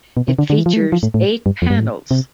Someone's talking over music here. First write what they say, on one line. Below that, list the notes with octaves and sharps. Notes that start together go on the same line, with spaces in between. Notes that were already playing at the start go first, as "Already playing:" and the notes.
It features eight panels.
B2
C3
D3
D3
E3
F3
A3
G3
F3
A2
A2
G2
F2
G2
A2
C3